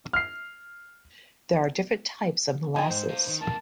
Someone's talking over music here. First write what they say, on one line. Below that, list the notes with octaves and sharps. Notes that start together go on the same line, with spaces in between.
There are different types of molasses.
F6 C7
F3 D#4 A#4 G5 G#5
G#2 C5
B4 F5
D#3
F2 A#3 A5